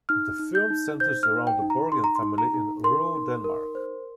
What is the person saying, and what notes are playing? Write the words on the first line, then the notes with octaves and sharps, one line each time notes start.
The film centers around the Borgen family in rural Denmark.
D#4 F6
D#4
G6
D#4
C5 G6
F6
D#4
G5
D#4
A#5
D#4 C6
A#5
C6
D#4
A#5
D#4
A#4 C6
D#4
A#4
C5